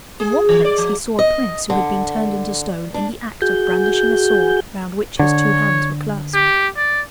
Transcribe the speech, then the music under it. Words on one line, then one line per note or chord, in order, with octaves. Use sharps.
In one place he saw a prince who had been turned into stone in the act of brandishing a sword round which his two hands were clasped.
G#4
E3
D5
F3
D#5
D3
D4
F#4 G#4 G6
D3 C#5
G4
D5